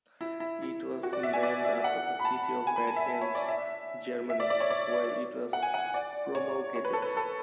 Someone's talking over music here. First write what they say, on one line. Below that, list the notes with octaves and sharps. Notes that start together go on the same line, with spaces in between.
It was named after the city of Bad Ems, Germany, where it was promulgated.
E4
E4
E4
F#4
D5
E5
G#5
D5
E5
F#5
B5
A5
G#5
B5
A5
E5
C#5
D5
E5
E5
D5
D5
C#5
D5
F#5
G#5
F#5
D5
C#5
C#5
B4
A4
B4
A4